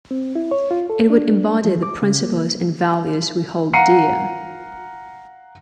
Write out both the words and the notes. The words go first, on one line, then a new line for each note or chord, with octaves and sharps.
It would embody the principles and values we hold dear.
C4
E4
C#5
F4
A4
D4
F3
D6
C#3
A#3
F5 F#5 A#5 C7 C#7 D#7